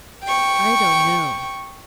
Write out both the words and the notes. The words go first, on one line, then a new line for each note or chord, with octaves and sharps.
I don't know.
G5 C#6